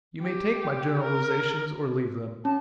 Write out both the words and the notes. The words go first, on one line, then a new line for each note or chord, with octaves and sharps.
You may take my generalizations or leave them.
G4
A#4
C#4 A5